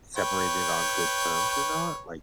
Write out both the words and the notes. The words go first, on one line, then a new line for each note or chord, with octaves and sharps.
separated on good terms or not? Like
B4 C#5 G5